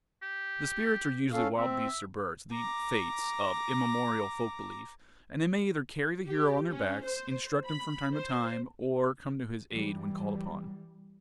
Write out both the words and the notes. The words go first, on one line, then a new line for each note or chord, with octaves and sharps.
The spirits are usually wild beasts or birds--the "fates" of immemorial folk belief--and they may either carry the hero on their backs, instruct him from time to time, or come to his aid when called upon.
G4
C#4 A4 F5
C4 E5
A#5 D6
G4
C#4
C5
B5
C5
E3 G3